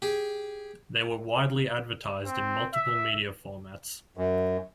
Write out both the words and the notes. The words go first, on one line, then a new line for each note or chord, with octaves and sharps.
They were widely advertised in multiple media formats.
G4 G#4
C4
E5
F#2